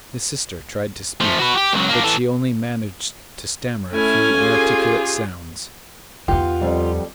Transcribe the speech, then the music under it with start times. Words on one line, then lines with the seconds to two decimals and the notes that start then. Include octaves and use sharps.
The sister tried to speak, but she only managed to stammer a few inarticulate sounds.
1.21 F3 A3
1.40 F#4 B4
1.56 G4
1.74 C#2 F#3
1.89 A#3 D4
2.04 E3 A4
3.92 A3 C#4 E4 A4 G#5 F6
4.38 F4 G4 G#4
6.28 E2 B3 D#4 F4 G4
6.61 F2 G3